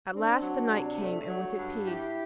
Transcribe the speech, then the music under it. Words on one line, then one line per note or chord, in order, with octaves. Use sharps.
At last the night came, and with it peace.
C4 D4
F#3
C3
A3
F#3
G2
E4 G4